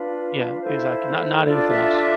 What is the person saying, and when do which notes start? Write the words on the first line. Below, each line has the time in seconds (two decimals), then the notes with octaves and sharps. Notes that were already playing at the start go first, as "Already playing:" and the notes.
Yeah, exactly, not not anything else.
Already playing: D4 F4 B4 F5
0.61 E4 A4 C5
1.43 D4 F4 A4 D5
1.70 E5
1.98 E5